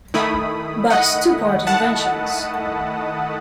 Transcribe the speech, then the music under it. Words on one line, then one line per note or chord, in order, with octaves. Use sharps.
Bach's Two-part Inventions.
D#3 A3 E4 B5 D#6
D#5 F#5
F#5 A5